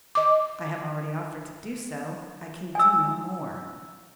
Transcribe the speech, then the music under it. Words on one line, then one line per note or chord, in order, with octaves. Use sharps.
I have already offered to do so--I can do no more.
D#5 D6
G#5 E6